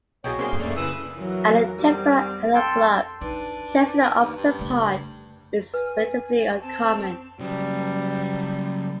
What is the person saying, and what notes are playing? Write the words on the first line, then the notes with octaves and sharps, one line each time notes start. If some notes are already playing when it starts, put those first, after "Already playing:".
At the typical adult club, dancing the "opposite part" is relatively uncommon.
C2 B2 F#3 G#4 C#5 D#5 G5
A#3 C4 D4 G#4 C6
C#3 A3 A#3 D5
C#3 E3 B4 D#6 E6
E3 F#3 A#4
G3 C4
A4 G5 C6
D4 D#4 F4 B4
D#2
G2
C#3 A3
B4 G#5
C4 A5
C#3 F#3 G3